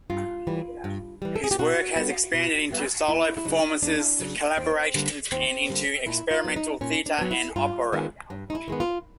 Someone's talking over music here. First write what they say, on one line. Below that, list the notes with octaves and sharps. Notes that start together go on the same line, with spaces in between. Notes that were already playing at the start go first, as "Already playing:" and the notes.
His work has expanded into solo performances, collaborations, and into experimental theatre and opera.
G2 F4
E3 G3
G2
E3 G3
A4
G#4
G4
B2 F#4
G3 B3
B2
G3 B3
E2 E4
E4
C#3 F#3 D#4
E2 D4
C#3 F#3
D#2 C4
D3 G3 A#3
D#2 C4
D3 G3 A#3
A#2 E4
F4
F#3 B3
D#4
A#2 C#4
D4
F#3 B3
E4
G2 F4
D#3 G#3 B3
G2
D#4
E4
D#3 G#3 B3
F4